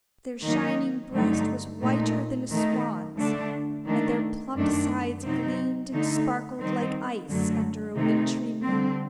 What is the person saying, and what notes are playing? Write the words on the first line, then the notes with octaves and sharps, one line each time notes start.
Their shining breast was whiter than a swan's, and their plump sides gleamed and sparkled like ice under a wintry moon.
D#3 F#3 A#3 D#4
G2 D3 F#3 A3 D#4
A#2 A3 D#4
D#3 A3 D#4
D3 A3 D4
D#3 A3 D4
F#2 D#3 A3 D4
C3 F#3 C4 D#4
D3 A3 D#4
D#3 G3 C4 D#4
F#2 D3 F#3 A3
C3 D#3 A3 D#4
D3 G3 C4